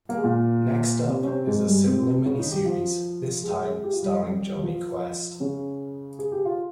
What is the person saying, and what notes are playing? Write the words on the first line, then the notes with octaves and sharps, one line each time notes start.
Next up is a similar mini-series, this time starring Jonny Quest.
A#3
G#3
A#2 A#3
C3 C4
C#4
C3 C4
G#2 G#3
G2 G3
C3 C4
C#3 C#4
D#3 D#4
G3 G4
F3 F4
G#3 G#4
G#3 G#4
G4
F4
G3 G4
G3 G4
F3 F4
C#3 C#4
G#4
G4
F4